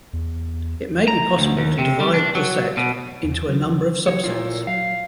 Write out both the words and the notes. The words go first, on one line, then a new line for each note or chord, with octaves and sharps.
It may be possible to divide the set into a number of subsets.
E2
A#5
D2
D#2
C3
G3
D4
F#3
B2
E2
D#3 F#3
F#3 G4 C#5
A#2 E4 F4 C#5
F#3 F5